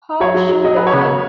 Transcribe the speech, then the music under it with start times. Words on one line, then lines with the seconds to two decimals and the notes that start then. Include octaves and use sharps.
How should I?
0.20 F#3 C#5
0.34 F#3
0.49 F#3
0.64 F#3 D#5
0.76 F#3 B4
0.87 C#5
0.93 C#3